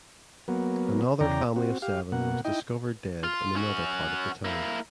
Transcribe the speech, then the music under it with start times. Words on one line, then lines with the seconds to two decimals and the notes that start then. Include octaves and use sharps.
Another family of seven was discovered dead in another part of the town.
0.48 F#3 A#3 B3
1.21 E2 C#3 D5 G5 A#5
1.56 C4 F#4
1.82 G4 F5
2.12 B2 A#3 F#5
2.45 D#4 E4 D#5 G5
3.24 F4
3.56 C#4 F#4
4.45 A#3 E4